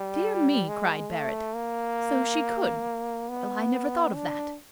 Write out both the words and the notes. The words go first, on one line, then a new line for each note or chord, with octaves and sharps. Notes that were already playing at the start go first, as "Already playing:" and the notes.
"Dear me," cried Barrett, "so she could; well, I never thought of that."
Already playing: G3
G#3
A3
A#3
B3
D4